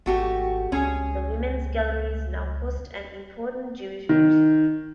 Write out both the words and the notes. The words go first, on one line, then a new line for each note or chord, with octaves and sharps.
The women's galleries now host an important Jewish museum.
G#1 A3 F#4 G4
C#2 C#4 G#4
D#3